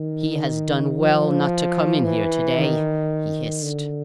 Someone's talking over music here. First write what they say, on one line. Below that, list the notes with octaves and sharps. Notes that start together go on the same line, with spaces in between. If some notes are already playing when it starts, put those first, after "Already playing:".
"He has done well not to come in here to-day!" he hissed.
Already playing: D#3
F3
E3
D#3
D3